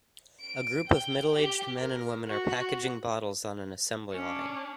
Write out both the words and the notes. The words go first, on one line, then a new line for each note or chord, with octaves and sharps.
A group of middleaged men and women are packaging bottles on an assembly line.
D7
G5
G4
A#4
F#4
F#4
C#4 D4